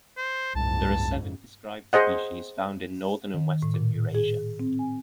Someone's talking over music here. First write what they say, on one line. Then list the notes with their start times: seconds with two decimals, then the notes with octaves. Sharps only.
There are seven described species found in northern and western Eurasia.
0.17 C5
0.55 F#1 C2 F2 G#2 A5
1.93 G#4 C5 D#5 F#5
3.34 D#3
3.63 A2
3.74 A#2
4.15 G#4
4.59 C4
4.79 G#5